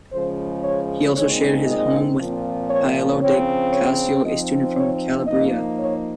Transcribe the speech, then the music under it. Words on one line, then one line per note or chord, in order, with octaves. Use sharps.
He also shared his home with Paolo di Ciacio, a student from Calabria.
C#3 F3 G#3 C5
C#5
A#2 G#3 C4 D#4 C#5
D#5
A#2 F3 C4
C#5
C#3 F3 C4 C#5
C#5
F3 C4 D#4 D#5
C#5
F3 A#3 D#4 D#5
C#5